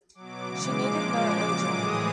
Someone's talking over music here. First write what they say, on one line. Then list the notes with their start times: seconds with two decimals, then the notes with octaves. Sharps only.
She needed no urging.
0.15 B2 F#3 D6
0.45 C#3 E3 G#3
0.75 A#2 F3 G#3 D6
1.05 C#3 F3 G#3
1.34 A#2 F#3 D6
1.65 A2 E3 G#3 D#6